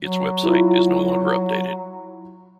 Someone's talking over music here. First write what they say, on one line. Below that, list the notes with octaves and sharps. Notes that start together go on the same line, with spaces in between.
Its website is no longer updated.
F#3
E4 F4